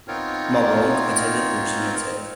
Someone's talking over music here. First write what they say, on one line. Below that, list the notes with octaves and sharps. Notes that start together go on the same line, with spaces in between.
Ma Wong attended Virginia Tech.
B3 C4 D#4 F4 A#4 C#5